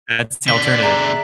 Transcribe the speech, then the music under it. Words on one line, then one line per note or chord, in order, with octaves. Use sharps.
That's alternative.
B2 D3 D5 F#6 B6
G#4 E5 A#5